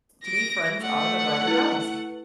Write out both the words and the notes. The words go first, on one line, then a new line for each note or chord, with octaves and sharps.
to me, friends are the ride or dies.
A#6 D7
A3 F#5
E4 B4